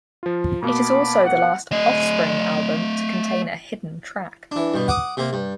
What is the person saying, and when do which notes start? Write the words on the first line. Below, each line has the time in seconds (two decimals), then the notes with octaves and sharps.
It is also the last Offspring album to contain a hidden track.
0.23 F3 F4
0.63 B2 A#3 B3 A5 B5 D6
1.24 F#5
1.72 A3 D#5
4.52 E3 D4
4.74 G2 B2
4.88 F#5 D6 D#6
5.17 C3 A#3
5.33 G2